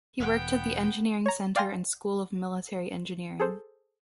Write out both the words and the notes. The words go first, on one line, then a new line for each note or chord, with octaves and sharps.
He worked at the Engineering Center and School of Military Engineering.
E1 B3 G5
C#5 A#5
D5 F5 G5 G#5 C6 A#6
G#4 A4 C5